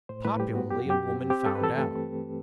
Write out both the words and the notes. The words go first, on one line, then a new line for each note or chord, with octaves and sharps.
Popularly, a woman found out.
A2 C5
A2 B4
G3 G4
B3 F#4
F#2 G4
F#4
F#2 G4
F#3
C4
C4 G4
G2 A4
B4
E3 A4
A3